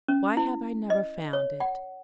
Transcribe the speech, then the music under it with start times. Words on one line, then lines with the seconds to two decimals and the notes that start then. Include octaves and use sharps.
'Why have I never found it?'
0.08 C#4
0.37 E4
0.90 D#5
1.33 C#5
1.60 F#5